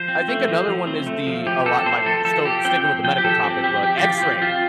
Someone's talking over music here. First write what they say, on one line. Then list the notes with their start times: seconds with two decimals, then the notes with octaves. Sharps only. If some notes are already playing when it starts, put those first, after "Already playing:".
I think another one is the a lot like, we're still sticking with the medical topic, but X-ray.
Already playing: F3 C5
0.08 C4
0.28 A3
0.48 F3
0.68 F3
0.87 C4
1.06 A3
1.27 F3
1.46 F3 G4
1.66 C4 A4
1.77 A4
1.86 A3 C5
2.06 F3 A4
2.25 F3 A4
2.45 F3 G4
2.65 C4 G5
2.85 C4
3.04 F3 G5
3.18 G4
3.24 F3 A4
3.44 C4 G4
3.64 C4 G4
3.83 F3 G4
3.98 F4
4.03 F3 G4
4.18 F4
4.22 C4 G4
4.42 C4 F4